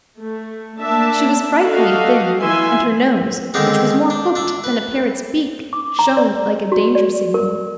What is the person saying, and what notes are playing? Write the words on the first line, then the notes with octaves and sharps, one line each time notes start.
She was frightfully thin, and her nose, which was more hooked than a parrot's beak, shone like a danger signal.
A3
A#3 D4 E5 A5
F#4 G4 A4 D#5 F5
E3 F4 E5 G#5 C6
D3 D#3 G#3 C4 D4 D#4
D4
D4 E5
B4
D6
A#5
D5
F#4
D5
A#4